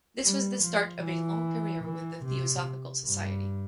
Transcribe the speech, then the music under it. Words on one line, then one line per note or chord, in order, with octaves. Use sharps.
This was the start of a long career with the Theosophical Society.
G3
F3
E3
E3
C3
G2